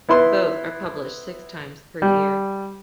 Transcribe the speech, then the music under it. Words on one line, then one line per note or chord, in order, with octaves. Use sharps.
Both are published six times per year.
B3 E4 B4 C6
G3